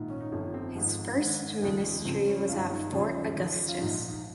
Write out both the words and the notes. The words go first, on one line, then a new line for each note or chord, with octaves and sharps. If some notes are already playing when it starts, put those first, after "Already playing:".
His first ministry was at Fort Augustus.
Already playing: A#1 G#2 D#3
C#4
D#4
G1 F2 D#3 C#4
C4
G#1 G#2 F3 G#3
G#1 G#2 D#3
F1 D#2 C#3 F3 G#3
G#3
C#2 C#3 F3 C4
C#4
G1 G2 D#3 F4
C#4
D#4
D#2 C#3 F3 C#4
D#2 C#3 F3
F4
A#1 G#2 F3 D#4
F4
D#4